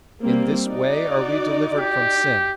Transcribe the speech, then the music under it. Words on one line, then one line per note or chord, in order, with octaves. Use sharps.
In this way are we delivered from sin.
G3 A#3 C4
D#4 F#4 D5
G4